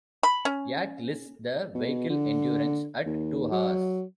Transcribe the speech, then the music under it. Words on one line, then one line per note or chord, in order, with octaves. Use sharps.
Yak lists the vehicle endurance at two hours.
B5
C#4
B2
D3
D#2
F#3